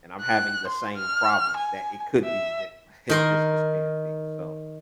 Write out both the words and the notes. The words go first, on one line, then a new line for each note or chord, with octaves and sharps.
and I'm having the same problems, that it could be them." It just just can't be, so,
F#6
C6
F6
G#5
E5
D#3 A#4 C6